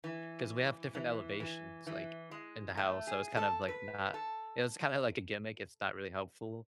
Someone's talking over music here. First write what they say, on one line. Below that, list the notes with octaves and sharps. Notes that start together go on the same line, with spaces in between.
'cause we have different elevations, like, in the house, so it's kind of like not it's kinda like a gimmick, it's not really helpful,
E3
E3
E3
E3
G#3
A3
G#4
A4
B4
A4